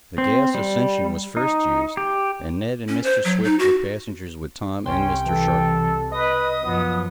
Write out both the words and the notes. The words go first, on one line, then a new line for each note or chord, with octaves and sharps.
The gas ascension was first used, and Ned and Mr. Swift were passengers with Tom and Mr. Sharp.
C4
G3
D#4
G4
C#4
C5
F#3
D#4
F#4
C2 C#4 G5 C6
E3 A4
B4 D#5 D#6
F#2 F3 B3